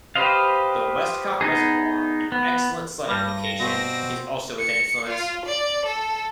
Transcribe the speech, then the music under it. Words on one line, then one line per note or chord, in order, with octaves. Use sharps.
The Westcott Reservoir, an excellent sledding location, is also within its limits.
G4 B4 C5 D#5 F5
B3 D#4 G#4
B3
G2 G3 A#6
B2 C4 F#4
C#7
F4
D5
A4